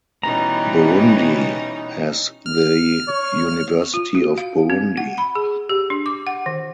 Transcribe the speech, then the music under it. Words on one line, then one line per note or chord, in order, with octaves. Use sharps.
Burundi has the University of Burundi.
B2 E3 G3 C#4 D#4 A#5
F6
C#5
F4
F#4
F5
C4
F#5
B5
G#4
G4
D4
D6
F#5
D#3